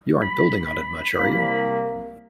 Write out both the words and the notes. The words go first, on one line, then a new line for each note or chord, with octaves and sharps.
You aren't building on it much, are you?
B5
C2 A#3